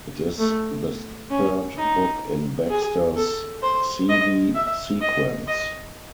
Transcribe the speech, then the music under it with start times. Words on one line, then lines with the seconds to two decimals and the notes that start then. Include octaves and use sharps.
It is the third book in Baxter's Xeelee Sequence.
0.38 A3
1.31 C#4
1.77 D#4
2.70 G#4
3.16 A4
3.63 C5
4.09 D#5
4.55 E5
5.01 D#5
5.48 D#5